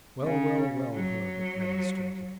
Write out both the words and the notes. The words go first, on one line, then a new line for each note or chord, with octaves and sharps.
"Well, well, well!" Herbert remonstrated.
C#3
F#3